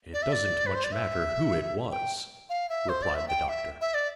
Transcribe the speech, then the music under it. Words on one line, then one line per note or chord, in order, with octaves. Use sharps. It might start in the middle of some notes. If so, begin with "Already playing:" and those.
"It doesn't much matter who it was," replied the doctor.
D5
E5
D5
B4
C5
D5
E5
G5
F5
E5
C5
D5
E5
G5
E5
E5
D5